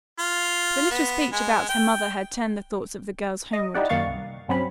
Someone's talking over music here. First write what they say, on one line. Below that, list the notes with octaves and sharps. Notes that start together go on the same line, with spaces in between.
The little speech about her mother had turned the thoughts of the girls homeward.
F4
B3
G#3
G5
D#5
D#4 E4 G4 D5 F#5
F#2 D#3 A#3 F5 C#6 A6
C2
G2 F#3 C4 C#4 B5